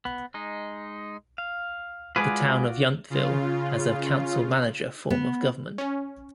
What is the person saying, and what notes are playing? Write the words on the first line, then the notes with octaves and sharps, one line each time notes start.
The Town of Yountville has a council-manager form of government.
B3
G#3 D#4
F5
G#3 F4 F#4 G#4 B4 D5
C#3 F4
B3
C#4